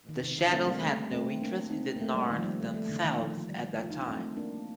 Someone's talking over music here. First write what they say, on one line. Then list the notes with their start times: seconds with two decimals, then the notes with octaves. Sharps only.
The Shadows had no interest in the Narn themselves at that time.
0.09 D#3
0.23 C3
0.38 D3
0.47 D4
0.52 A3 C4
0.67 G3 A#3
0.82 A3
1.11 A3 C4
1.41 A#3 D4
1.70 C4 D#4
1.96 A#3
2.00 A3 C4
2.15 G3 A#3
2.31 D#3
2.38 F3
2.44 G3
2.60 A3
2.74 A3
2.89 D3
3.04 D#3
3.19 F3
3.38 F3
3.48 G3
3.82 F4
3.91 D#4
3.99 D4
4.07 A3 C4
4.37 A#3 D4